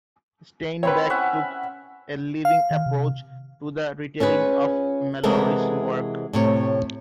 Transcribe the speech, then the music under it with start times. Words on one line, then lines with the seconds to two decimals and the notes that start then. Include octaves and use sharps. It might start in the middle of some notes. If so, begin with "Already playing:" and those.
Steinbeck took a "living approach" to the retelling of Malory's work.
0.83 C4 E4 B4 C#5
1.10 C#4 E5 F#5
2.45 F5
2.71 D#3
2.86 C3
4.20 C#4 F4 G#4 B4
5.23 C3 E3 G#3 B3 A4 A#4
6.33 A2 C3 C#5